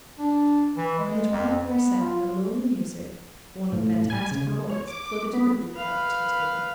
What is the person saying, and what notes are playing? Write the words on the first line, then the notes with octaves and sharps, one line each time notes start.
From the twilight where he sat a lonely music, borne on fantastic chords, floated to the group about the tea-table.
D4
E3
G#3
F2
B3
F4
A2
G#5
C#3
G#3
C#5
D6
B3
B4 F5